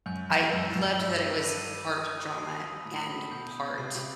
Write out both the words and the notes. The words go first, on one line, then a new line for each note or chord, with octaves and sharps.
I loved that it was part drama and part
F#2 G6
E2
E2
F#2 E6
F#2
G2 E6
D#7
D#6
C7
A2 B5
B2 G6
C3 C7
C3